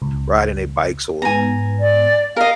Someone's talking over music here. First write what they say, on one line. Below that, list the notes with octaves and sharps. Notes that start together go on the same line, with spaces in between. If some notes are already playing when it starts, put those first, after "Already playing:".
riding their bikes or,
C#2
G#2 B3 G#5 A#5
D5
A#4 D#5 F5